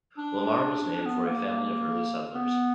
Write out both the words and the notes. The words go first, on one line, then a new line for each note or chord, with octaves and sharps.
Lamar was named for a family of early settlers.
D4
D4
B3
A#3
A#3
B3